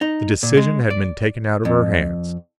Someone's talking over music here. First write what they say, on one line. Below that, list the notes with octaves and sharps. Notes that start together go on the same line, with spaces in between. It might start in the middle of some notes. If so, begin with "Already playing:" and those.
The decision had been taken out of her hands.
D#4
A#2
G#3
D5
F2